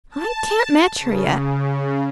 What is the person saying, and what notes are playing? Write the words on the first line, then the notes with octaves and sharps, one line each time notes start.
I can't match her yet.
A5
C#3